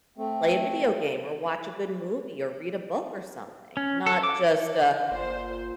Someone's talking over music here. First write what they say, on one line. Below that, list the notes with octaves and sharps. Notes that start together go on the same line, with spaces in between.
play a video game, or watch a good movie, or read a book or something. Not just, uh,
A3 C4
C#4
A4
D6
G1 A#2 F4 C5